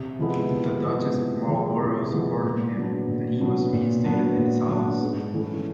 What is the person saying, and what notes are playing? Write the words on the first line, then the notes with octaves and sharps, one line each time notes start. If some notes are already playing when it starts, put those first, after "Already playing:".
The Duchess of Marlborough supported him, and he was reinstated in his office.
Already playing: C3
F3 G#3 B3 E4
C3
F3 G#3 B3 E4
C3
F3 G#3 B3 E4
C3
F3 G#3 B3 E4
A#2
F#3 B3 D4
A#2
F#3 B3 D4
A#2
F#3 B3 D4
A#2
F#3 B3 D4
G#2
E3 A3 C#4